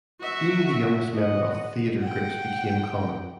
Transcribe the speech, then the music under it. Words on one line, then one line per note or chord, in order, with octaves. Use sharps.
Being the youngest member of theatre groups became common.
F#4 E5
D#5 F#5
F#5 G5